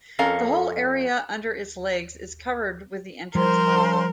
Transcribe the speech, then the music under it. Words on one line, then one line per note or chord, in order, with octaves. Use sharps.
The whole area under its legs is covered with the entrance hall.
F2 C#4 A4 A#4 F5 A#5
F3 G3 A#4 C5 C6